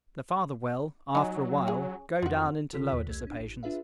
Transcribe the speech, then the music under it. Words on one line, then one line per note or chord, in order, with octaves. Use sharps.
The father will, after a while, go down into lower dissipations.
F#3 D#4 G#5
C#4 G#4
F2 F4 F#4
G1 D3 F4 A4 F6 B6
E2 F#6 B6
C2 A3 G#6
C#4 D4
A1
D4 F4 G#4 B4 E5 F5